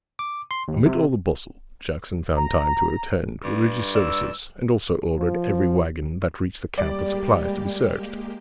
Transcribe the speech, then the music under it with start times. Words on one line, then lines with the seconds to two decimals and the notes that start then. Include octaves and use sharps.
Amid all the bustle Jackson found time to attend religious services, and also ordered every wagon that reached the camp with supplies to be searched.
0.19 D6
0.51 C6
0.68 D#2
0.85 C3
2.37 A#5
3.44 G2
3.95 D5 E6
5.19 F3
6.78 G3 G#3 A#3 G4 D5